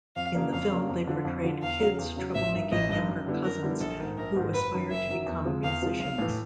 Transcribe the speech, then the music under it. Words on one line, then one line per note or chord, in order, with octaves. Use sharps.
In the film, they portrayed Kid's trouble-making younger cousins who aspire to become musicians.
F2 F5
C#3 F#3 A#3 D4
F2 F5
C#3 F#3 A#3 D4
F2
D3 F3
F2
D3 F3
E2 F5
C#3 F#3
E2
C#3 F#3
A1 E5
G2 D#3
A1 D#5
G2
D#3
F#2
D3 G3 B3 E4
F#2 A#4
D3 G3 B3 E4
A#1 A4
G#2 D#3
A#1 A#4
G#2 D#3
F#1 B4
F#2 D#3 F#3
F#1 E5
F#2 D#3 F#3
E2
C3 F3 G#3
E2 F5
C3 F3 G#3
B1 F5
A2 E3